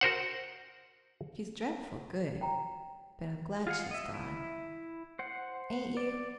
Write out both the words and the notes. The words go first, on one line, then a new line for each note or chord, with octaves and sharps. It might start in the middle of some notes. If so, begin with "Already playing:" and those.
"She's dreadful good; but I'm glad she's gone: ain't you?"
F#4 A#4 C5 F#5
G5 A#5
F4 G#4 F5 F#5
D#5 E5
E4
C5 F#5
D5